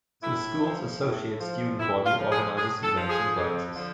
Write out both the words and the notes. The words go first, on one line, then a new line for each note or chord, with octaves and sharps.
The school's Associate Student Body organizes events and dances.
A2 E4
F3
A2
F3
A2 E4
F4
F3
G#4
A2 G#4
A4
F3
G#4
F2
D3 F3